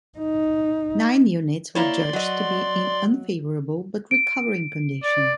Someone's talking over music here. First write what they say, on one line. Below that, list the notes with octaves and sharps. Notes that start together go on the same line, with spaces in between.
Nine units were judged to be in unfavourable but recovering condition.
D#4
A#3 E4 C#5 D5 C6
F#3 D#5
D7
D5